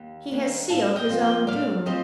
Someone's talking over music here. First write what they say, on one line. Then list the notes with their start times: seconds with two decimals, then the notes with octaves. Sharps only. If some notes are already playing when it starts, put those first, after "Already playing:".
He has sealed his own doom.
Already playing: D#2
0.31 D#3 G3 A#3 D4
0.70 A2 F5 A5
0.96 D#5 G5
1.08 F3 C4
1.21 D#5 G5
1.47 A2 D5 F5
1.86 F3 C4 C5 D#5